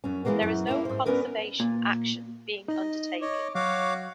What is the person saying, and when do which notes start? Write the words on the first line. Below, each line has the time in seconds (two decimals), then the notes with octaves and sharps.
There is no conservation action being undertaken.
0.04 F#2 C#4
0.25 E3 F#3 G#3 A#3 B3
0.42 F#2
0.67 A#3 C#4 E4
0.85 G#2 C5
1.06 B3 C#4 D4 A#4 B4
1.60 A#2
2.68 D#4 D#5
3.21 C#5 D#5 D6
3.55 F#3 F#4 C#5 F5 D6